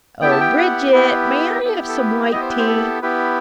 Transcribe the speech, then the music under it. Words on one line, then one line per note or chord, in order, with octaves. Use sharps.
"O, Bridget, may I have some white tea?"
B3 E4 G4 G5
A5
G5
F#5
B3 E4 G4 B4
B3 E4 G4
A4
B4
B3 E4 G4 D#5
C5
B4
C5
A4
B3 E4 G4 B4